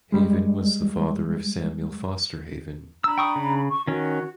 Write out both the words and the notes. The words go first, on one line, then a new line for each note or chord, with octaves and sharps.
Haven was the father of Samuel Foster Haven.
G3 G#3
D4 A#5 B5 E6
G5 C#6 D#6
C#3
C#6
D#3 C#4 F#4